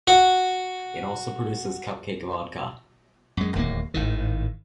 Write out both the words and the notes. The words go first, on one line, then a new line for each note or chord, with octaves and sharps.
It also produces Cupcake Vodka.
F#4 F#5
F#2 G#3
D1 D#2 D#3 A#3
G#1 A2 D#3